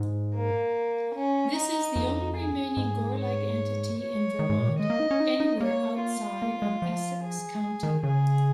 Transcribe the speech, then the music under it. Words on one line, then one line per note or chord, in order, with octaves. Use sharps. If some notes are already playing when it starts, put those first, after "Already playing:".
This is the only remaining gore-like entity in Vermont anywhere outside of Essex County.
Already playing: G#2
A#3
C#4
D#4
F2
G#4
G#2
C#5
C#5
D#3
G#2
A#2
D#3
G#3 D#5
A#3
D#4
C#4
D#4
D#4
A#3 C#5
F4
A#3
G#3
F3
G#4
D#3
C#3 G#4